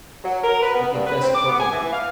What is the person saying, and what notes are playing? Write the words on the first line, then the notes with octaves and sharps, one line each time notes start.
I confess it openly.
F#3
A#4
B4
B3
G2
B4
C4
D6
B3
G#5
E3
F5